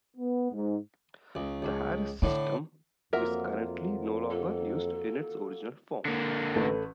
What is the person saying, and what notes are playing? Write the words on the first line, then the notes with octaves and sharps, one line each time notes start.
The Harris system is currently no longer used in its original form.
B3
G#2
C#2
C#2
A2 D3 E4
F2 F#3 A#3 F4 A#4 E5
A4
D3 A#3
A1 A3 B4